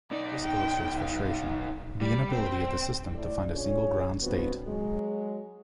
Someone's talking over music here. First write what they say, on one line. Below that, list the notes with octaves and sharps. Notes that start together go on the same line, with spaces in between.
This illustrates frustration: the inability of the system to find a single ground state.
B1 D#4 D5
G5
F5
G3 D5
C4 G5
A2 D5
C#4 D4 F4 G#4 C#5
F3 G3 B3 C4 D4 F#4
F#3 G#3 G#4